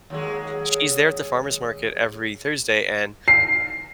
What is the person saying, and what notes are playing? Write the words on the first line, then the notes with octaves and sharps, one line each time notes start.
She's there at the farmer's market every Thursday, and
D#2 F#3 G#3
C7